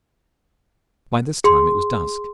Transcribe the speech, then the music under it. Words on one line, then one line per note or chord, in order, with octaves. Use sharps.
By this time it was dusk.
G#4 C6